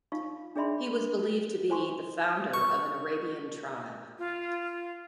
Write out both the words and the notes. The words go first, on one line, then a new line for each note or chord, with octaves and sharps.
He was believed to be the founder of an Arabian tribe.
D#4 F4 F5 C#6
D4 G#4 D5 E5 B5 C6
C5 G#5 C6 C#6
C#6
F4